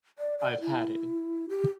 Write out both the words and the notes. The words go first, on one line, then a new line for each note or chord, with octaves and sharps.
I've had it.
D5
D5
E4
G4